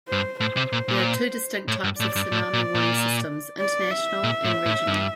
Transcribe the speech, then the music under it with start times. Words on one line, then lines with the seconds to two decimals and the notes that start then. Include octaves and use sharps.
There are two distinct types of tsunami warning systems: international and regional.
0.08 G2 C5
0.40 A2 C5
0.57 C3
0.73 A#2
0.88 A#2
1.68 A2
1.84 G2
2.00 A2 D5
2.16 G2
2.32 A2
2.53 A#2
2.75 A#2
3.60 D5
3.91 E5
4.24 A#2
4.44 A2
4.66 A2
4.87 G2